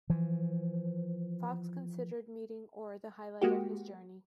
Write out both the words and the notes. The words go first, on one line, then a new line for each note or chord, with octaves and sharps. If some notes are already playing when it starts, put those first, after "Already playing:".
Fox considered meeting Orr the highlight of his journey.
E3 F3
G#3 A#3 F#4 G4